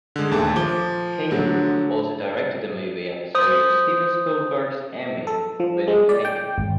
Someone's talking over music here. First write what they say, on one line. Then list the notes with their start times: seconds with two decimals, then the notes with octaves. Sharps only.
Kagan also directed a movie episode of Steven Spielberg's Emmy winning "Taken".
0.16 D3 G#3
0.31 D#2 A#2 A3 A5
0.56 F3 D6 G7
1.31 D3 F#3 A3
3.35 C5 D#6
5.27 A4
5.60 F3
5.88 G#3
6.09 D5
6.25 G5
6.58 G#1